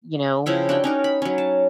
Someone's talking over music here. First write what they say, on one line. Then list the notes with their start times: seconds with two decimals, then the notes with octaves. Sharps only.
you know,
0.46 C#3 F3 E4 G5
0.69 D4 F#4 G5
0.84 C#4 D#4 A#4
1.04 B5
1.22 F#3 C#4
1.38 A5